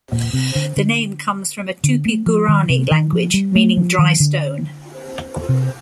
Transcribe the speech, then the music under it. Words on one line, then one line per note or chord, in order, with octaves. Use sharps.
The name comes from a Tupi-Guarani language, meaning "dry stone".
A#2
C3
D3
D3
D3
A3
F3
D#3
C3
D#3
F3
G3
A3
F3
D#3
D3
C3